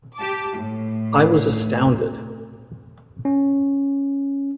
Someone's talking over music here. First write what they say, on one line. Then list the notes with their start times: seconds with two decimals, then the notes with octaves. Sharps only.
"I was astounded".
0.17 G4 A5 D6
0.54 A2
3.25 C#4